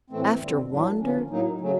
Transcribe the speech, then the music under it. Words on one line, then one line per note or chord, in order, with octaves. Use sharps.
After Wander?
A2 E3 A3 C4
F2 D3 G3 C4
A2 F#3 A#3 D4
D3 F3 A#3 C#4
A2 F#3 A#3 D#4
C#3 F#3 A3